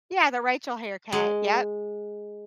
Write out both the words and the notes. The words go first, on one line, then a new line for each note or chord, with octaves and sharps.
Yeah. The Rachel haircut. Yep.
G#3